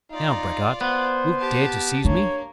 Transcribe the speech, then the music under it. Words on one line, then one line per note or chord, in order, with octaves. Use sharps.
"Now, braggart, wilt dare to seize me?"
D#4 F4 D5
B3 C5
G4 A5
A#3 D4 C#5